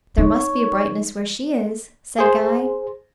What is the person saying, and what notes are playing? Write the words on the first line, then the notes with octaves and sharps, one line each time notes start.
'There must be brightness where she is,' said Guy.
D#4 C#5
G#4 C5